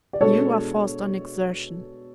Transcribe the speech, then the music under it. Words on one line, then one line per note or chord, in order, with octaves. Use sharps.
You are forced on exertion.
D5
B2 G#3 D4 A4 C#5